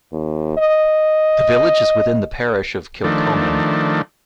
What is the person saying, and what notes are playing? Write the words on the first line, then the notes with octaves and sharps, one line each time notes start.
The village is within the parish of Kilchoman.
D#2
D#5
D#3 F3 A3 D4